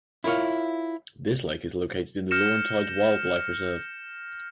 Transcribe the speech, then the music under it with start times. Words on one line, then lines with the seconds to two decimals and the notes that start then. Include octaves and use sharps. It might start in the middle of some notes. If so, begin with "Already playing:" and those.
This lake is located in the Laurentides Wildlife Reserve.
0.24 E4 F4 A#4 C#5 F5
2.31 F6 G6 A#6 C#7 E7